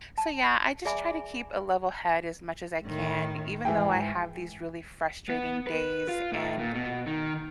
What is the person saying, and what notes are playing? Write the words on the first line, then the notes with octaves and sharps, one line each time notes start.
So, yeah, I just try to keep a level head as much as I can, even though I have these really frustrating days and
A5
G#4 D5 E5 G#5 B5 D6
A2 D#3
G#2 E3 E4 G#4 G5
B3
B4
F4
A2
A#2
B2
D#3